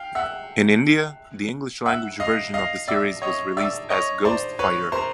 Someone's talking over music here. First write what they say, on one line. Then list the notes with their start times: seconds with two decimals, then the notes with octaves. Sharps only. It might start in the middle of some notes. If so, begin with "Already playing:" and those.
In India the English-language version of the series was released as "Ghost Fighter".
Already playing: F5 G5
0.15 E5 F#5
1.86 E5 F#5
2.20 D#5 F5
2.54 D#5 F5
2.88 D5 E5
3.22 C#5 D#5
3.57 D5 E5
3.90 C#5 D#5
4.25 C5 D5
4.59 B4 C#5
4.92 A#4 C5